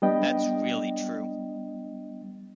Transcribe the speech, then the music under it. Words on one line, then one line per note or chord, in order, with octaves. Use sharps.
That's really true.
G3 B3 D4 D#5 G5